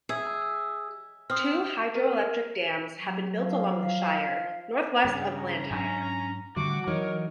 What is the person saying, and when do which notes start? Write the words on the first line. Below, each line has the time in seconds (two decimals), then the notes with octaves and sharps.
Two hydroelectric dams have been built along the Shire northwest of Blantyre.
0.09 G#4 E5
1.30 C4 D#6 F6
1.95 A#4
2.99 F#3
3.42 F3 F5
5.04 G2 C#3
5.35 A#5
5.71 G#2 F#3 C#4 D4 G#5
6.56 A2 D3 G3 D4 F#4 D6
6.87 E3 F#3 D#4 F#4 A#4 C#5